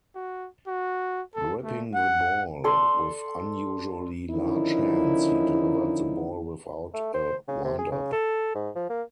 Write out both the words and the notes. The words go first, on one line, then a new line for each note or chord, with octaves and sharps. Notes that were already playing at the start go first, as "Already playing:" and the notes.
Gripping the ball with unusually large hands, he delivered the ball without a windup.
F#4
F#4
A4
A3
F#5
A4 D5 C6
D3 D#3 F3 C#4 D#4 E4
A3
C5
C#3
C3
G#4
C#3
A4
G#2
F3
A#3